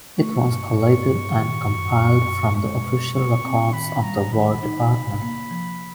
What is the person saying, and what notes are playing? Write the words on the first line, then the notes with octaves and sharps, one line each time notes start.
It was collated and compiled from the Official Records of the War Department.
A3 C#6
G2
G2 C#6
G2
D#3
F#2
F#2
F#2
G#3 C#6
B2
B2 C#6
C4
D#3 B5
G3 A#5
D#3 B5
D#4
C3
A#3
F3